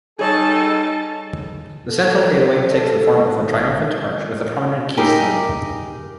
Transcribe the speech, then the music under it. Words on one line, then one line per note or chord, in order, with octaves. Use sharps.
The central gateway takes the form of a triumphal arch with a prominent keystone.
G3 D#4 G#4 A4 C#5 A5
A4
G3
A4
G#1
D#4 G4 G#4 A#4